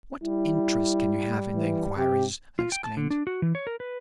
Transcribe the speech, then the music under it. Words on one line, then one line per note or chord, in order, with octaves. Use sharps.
"What interest can you have in the inquiries?" I exclaimed.
G3 E4
E3
C3 G4
F4
G5
A5
D3
D4
F#4
E3
C#5
A#4
B4